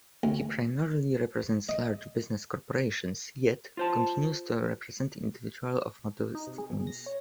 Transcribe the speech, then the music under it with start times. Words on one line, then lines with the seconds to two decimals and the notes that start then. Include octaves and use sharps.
He primarily represents large business corporations, yet continues to represent individuals of modest means.
0.23 D2
1.69 D#5
3.77 F4 C5 A5
6.35 D#4
6.47 C3
6.58 G#4
6.70 B2
6.87 A#6
7.06 C#5